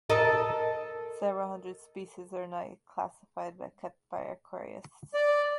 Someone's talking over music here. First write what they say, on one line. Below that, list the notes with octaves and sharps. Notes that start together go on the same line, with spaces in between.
Several hundred species are not yet classified, but kept by aquarists.
A4 A#4 D#5
D5